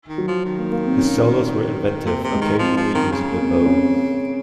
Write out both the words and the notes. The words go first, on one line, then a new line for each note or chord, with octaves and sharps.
His solos were inventive, occasionally using the bow.
D#3
F#3
F3
D#3
A#3
A#3
C4
C#4
C3 A#3
C3
G#3
D#3
F3 C4
F3
C4
D#3
C#3
A#3
C4
C4
C#4